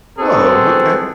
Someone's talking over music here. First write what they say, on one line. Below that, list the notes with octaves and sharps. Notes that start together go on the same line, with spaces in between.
Oh, okay.
B3 C4 F#4 G#4 A4 C5